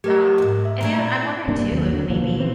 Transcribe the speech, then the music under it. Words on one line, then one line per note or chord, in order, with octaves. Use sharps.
Um, and then I'm wondering too if maybe
A3 G4 A#4 D#5
D2 G#2
E5
A#2 A3 G#4 A#5 G#6
E4 D5 B5
G2 C3 A#3 D4
D#2 F#3
D3 F#3
C#2 A#2 E3 F3
B2 E3 C4